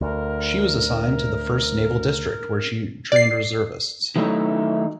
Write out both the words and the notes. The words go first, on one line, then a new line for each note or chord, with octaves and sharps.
She was assigned to the First Naval District where she trained reservists.
D2 A#4
D5 C7
D#3 F#3 A3 D#4 E4